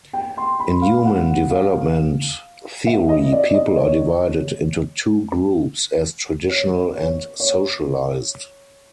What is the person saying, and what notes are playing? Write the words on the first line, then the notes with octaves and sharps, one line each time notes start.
In human development theory, people are divided into two groups as traditional and socialized.
G5
C6
B5
F5
F#5
F5
E5
D#5
D5
D#5
C#5
C#5
C#5
C#5